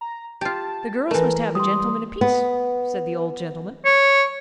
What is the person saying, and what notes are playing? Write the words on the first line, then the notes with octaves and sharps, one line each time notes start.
"The girls must have a gentleman apiece," said the old gentleman.
A#5
F4 G4 A5
E3 A3 A#4
G3 C6 D#6
B3
C#5